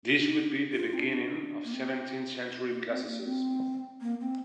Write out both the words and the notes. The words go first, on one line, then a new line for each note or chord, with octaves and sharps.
This would be the beginning of seventeenth century "classicism".
D#4
F4
C4
D4
A#3
C4
A#3
C4
A#3
C4
A#3
C4